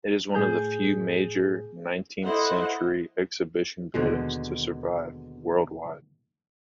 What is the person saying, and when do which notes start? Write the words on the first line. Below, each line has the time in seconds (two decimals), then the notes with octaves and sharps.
It is one of the few major nineteenth-century exhibition buildings to survive worldwide.
0.35 A2 G#4 G6
2.24 E4 A4 C5 D#5 F#5
3.94 D#2 B2 D3 G#3